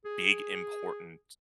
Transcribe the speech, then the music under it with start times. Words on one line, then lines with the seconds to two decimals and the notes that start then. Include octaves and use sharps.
big important
0.05 G#4